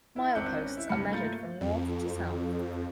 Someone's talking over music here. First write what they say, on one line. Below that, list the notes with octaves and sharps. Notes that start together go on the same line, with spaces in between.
Mileposts are measured from north to south.
E4
G#1 C4 D4 F#6 G6 C#7
C#4
E4
C2 G2 C3 B5 C#7
A3 A#3 F4 G6 A6 C#7
F2